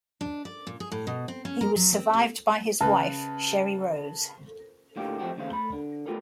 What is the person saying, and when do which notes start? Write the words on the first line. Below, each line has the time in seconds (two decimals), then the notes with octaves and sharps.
He was survived by his wife Sheree Rose.
0.21 D4
0.45 D5
0.67 A#2
0.80 G#4
0.92 A2
1.07 B2
1.28 C4
1.45 C#4
1.61 A#4
1.76 F#3
1.92 C4
2.14 C3
2.81 C#3 B4 A5
4.96 A2 D3 A#3 F4 G4
5.18 F3 A3 C4 F#4 G4
5.37 D#2 C#3 A3 C5 F5
5.51 A3 B5
5.73 D3
6.06 A3 B3 F4 G4 A4 A#4